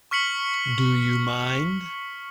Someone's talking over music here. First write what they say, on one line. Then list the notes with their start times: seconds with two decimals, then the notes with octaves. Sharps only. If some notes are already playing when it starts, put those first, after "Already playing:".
Do - you - mind?
0.11 C#6 F6 B6 C#7 F#7